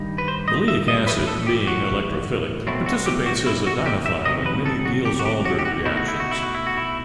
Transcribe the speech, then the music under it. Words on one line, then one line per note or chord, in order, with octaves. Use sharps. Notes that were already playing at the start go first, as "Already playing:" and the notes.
Maleic acid, being electrophilic, participates as a dienophile in many Diels-Alder reactions.
Already playing: G2 D#3 G3 D#4
B4
C5
D#5
E5
D#5
A2 E3 A3 B4
A4
G4
F#4
B2 F#3 A3 C4 E4
F#4
G4
F#4
E4
F#4
G4
E5
C3 D#3 F#3 D#5
B4
A4
F#4
G4
F#4
G4
F#4
G4
F#4
B2 A3 D#4 E4
F#4
E4
F#4
E4
F#4
E4
F#4
E4